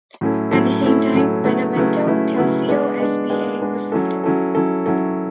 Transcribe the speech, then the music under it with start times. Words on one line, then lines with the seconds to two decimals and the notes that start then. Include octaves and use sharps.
At the same time Benevento Calcio S.p.A. was founded.
0.21 A2 F#3 C#4 E4 A4
0.51 A2 F#3 C#4 E4 A4
0.83 A2 F#3 C#4 E4 A4
1.13 A2 F#3 C#4 E4 A4
1.44 C#3 F#3 A3 E4 B4
1.76 C#3 F#3 A3 E4 B4
2.06 C#3 F#3 A3 E4 B4
2.37 C#3 F#3 A3 E4 B4
2.69 G#3 B3 D4
3.00 G#3 B3 D4
3.30 G#3 B3 D4
3.62 G#3 B3 D4
3.92 F#3 C#4 E4 A4
4.24 F#3 C#4 E4 A4
4.55 F#3 C#4 E4 A4
4.86 F#3 C#4 E4 A4